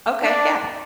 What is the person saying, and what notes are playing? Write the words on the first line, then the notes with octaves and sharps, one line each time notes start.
Okay, yeah.
D4